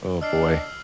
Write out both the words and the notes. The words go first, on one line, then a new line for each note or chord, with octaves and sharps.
Oh, boy.
D4 D#5 E6 F6 C7